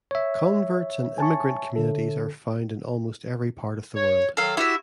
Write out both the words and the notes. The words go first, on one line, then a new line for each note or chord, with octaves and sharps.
Converts and immigrant communities are found in almost every part of the world.
C#5 E5
G#5 A5 C#6
D3 A4
C#5
D#3 F#3 A4 F5
E4 F#4 G4 E5